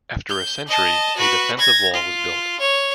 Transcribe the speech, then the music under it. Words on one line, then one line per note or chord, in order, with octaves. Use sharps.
After a century, a defensive wall was built.
G6
D#5 A5
F#4 B4
G#6 A#6
F4
C#5